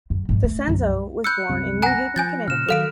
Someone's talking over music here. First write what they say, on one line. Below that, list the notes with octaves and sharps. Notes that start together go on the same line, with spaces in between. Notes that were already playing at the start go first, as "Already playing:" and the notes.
DiCenzo was born in New Haven, Connecticut.
F#2
G#2 F3
A3
C2 F#2
B5 E6 F#6 G6 C#7
C2 F#2 C3
F#5 G#5 A#5 F#6 A#6
F3 G#5 G6 A6
A#2 C#3 F6 E7
D#3 F#3 A4 F5 D7